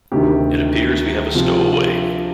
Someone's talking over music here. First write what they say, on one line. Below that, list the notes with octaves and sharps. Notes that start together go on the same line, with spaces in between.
It appears we have a stowaway.
D2 C3 D#3 G4
G4
C3 F3 C4 F4